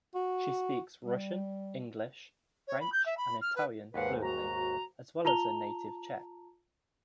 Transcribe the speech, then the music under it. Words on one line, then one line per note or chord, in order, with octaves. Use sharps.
She speaks Russian, English, French and Italian fluently, as well as her native Czech.
F#4
G3
C#5
B5
G6
E5
B5
F6
B4
D#2 G#2 B4 F5 F#5
F#4 A#5
F4 A5 A#5 F7 G7